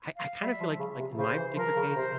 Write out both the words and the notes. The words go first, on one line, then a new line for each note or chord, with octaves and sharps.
I I kind of feel like like, in my particular case,
F5
G3 E5
F3
C#3
C3
C#3 C5
E3
F3 A#4
C#3
C3 C5